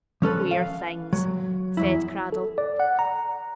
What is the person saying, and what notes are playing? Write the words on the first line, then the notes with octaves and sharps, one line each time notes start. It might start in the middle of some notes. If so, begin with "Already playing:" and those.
"Queer things!" said Cradell.
F3 C#4 A4 B4
F5
F#3
E2 F#3 E4
A4
D5
F#5
A#5